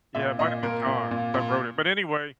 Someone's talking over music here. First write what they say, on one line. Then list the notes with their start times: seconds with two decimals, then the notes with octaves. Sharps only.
Yeah, it might have been John that wrote it but, anyway,
0.15 A#2 E5
0.39 A#2 D#5
0.63 A#2 A#4
0.87 A#2
1.11 A#2
1.34 A#2